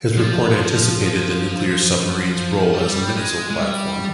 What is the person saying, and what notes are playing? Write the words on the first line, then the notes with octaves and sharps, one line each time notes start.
His report anticipated the nuclear submarine's role as a missile platform.
F3
G3
G#3
G#3
G3